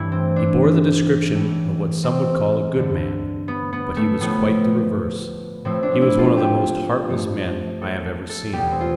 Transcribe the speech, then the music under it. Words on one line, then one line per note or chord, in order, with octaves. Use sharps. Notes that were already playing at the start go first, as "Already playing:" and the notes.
He bore the description of what some would call a good man, but he was quite the reverse; he was one of the most heartless men I have ever seen.
Already playing: G2 E3 A3 E4
C4
D4
A2 E3 A3
C4
G2 D3 A3
B3
B3
A3
A2 F3 A3 B3
A2 F3 A3 C4
D4
E4
F4
G4
G2 F3 A3
A4
A4
E2 B2 G3 G4
C4
F4